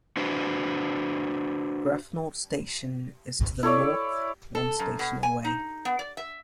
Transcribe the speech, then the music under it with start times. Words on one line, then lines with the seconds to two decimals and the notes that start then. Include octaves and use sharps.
Grafenort station is to the north, one station away.
0.17 D4 F#4 B4 C5
3.63 E4 A4 C#5 D5
4.55 A4
4.79 F#2
4.99 B2
5.23 G#5
5.45 D#4
5.85 B3
5.99 D5
6.17 E5